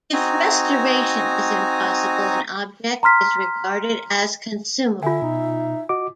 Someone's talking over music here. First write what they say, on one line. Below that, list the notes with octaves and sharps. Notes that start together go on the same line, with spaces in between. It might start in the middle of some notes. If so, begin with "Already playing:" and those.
If restoration is impossible an object is regarded as consumable.
C4 D#4 F#4 G#5 A#5 D#6
A#5 C6 F6 B6
D3 F4 E5 G#5
B2 D#4
F#4 D#5 D6